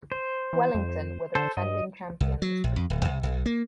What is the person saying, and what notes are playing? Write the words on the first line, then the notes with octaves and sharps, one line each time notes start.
Wellington were the defending champions.
C5
E3
F2
D3 A4 C5
G2 D#5
C2
F#3
A#1
F2
D1
C2
B1
A#3